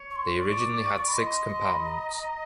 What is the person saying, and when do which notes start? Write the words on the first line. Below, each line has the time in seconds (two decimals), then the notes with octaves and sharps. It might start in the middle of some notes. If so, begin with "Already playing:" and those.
They originally had six compartments.
Already playing: C#5
0.11 C#6
0.16 C6
0.33 C6
0.39 D5 C#6
0.57 D6
0.76 C#6
0.95 C#6
1.08 B5
1.13 D#5 C6
1.49 C6
1.68 B5
1.85 A#5
2.10 A#5